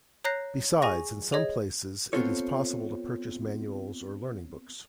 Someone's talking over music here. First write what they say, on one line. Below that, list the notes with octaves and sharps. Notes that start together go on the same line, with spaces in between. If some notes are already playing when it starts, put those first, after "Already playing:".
Besides, in some places it is possible to purchase manuals or learning books.
C#5 A#5 F#6 G6 A#6 C7
G#4 G#5 C#6 A#6
G#4 C#5 D#5 G#6
B3 C4 F4 A4 C#5